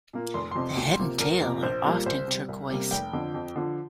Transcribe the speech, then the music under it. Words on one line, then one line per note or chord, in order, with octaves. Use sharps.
The head and tail are often turquoise.
A#2 A#3
F1 C6
F2 C3 F3 C6
D2
C3 F3 A#3
F1 A#4
F2 C3 F3 A#3
A#1 C5
A#2 G3 A#3
C2 C5
C3 G3
C2
C3 G3 A#3
F1 G5
F2 D3 F3
F2
D3 F3